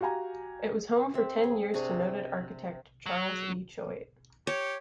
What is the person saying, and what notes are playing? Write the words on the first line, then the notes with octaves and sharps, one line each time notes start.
It was home for ten years to noted architect Charles E. Choate.
F#4 G4 F5 G#5 A#5
C4 E5
G#4
C3 D4 G#4 C#6
F#3
G4 C#5